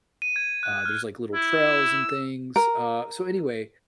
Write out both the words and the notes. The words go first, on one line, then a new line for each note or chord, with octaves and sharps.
Uh, there's, like, little trails and things. Uh, so anyway,
D#7
G#6
F#6
F6
E4 E6
A#4